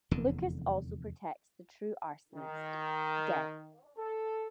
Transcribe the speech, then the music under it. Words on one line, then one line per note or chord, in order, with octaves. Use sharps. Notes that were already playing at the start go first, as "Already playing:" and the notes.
Lucas also protects the true arsonist: Deb.
F1 E2 D3
D#3
A4